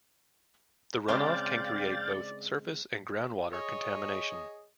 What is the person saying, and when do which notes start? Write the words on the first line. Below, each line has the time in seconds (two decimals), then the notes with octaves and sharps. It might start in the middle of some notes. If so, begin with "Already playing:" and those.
The runoff can create both surface and groundwater contamination.
1.08 C#3 G#3 C4 D5 F5 G5 A6
3.54 G#4 C#5 D#5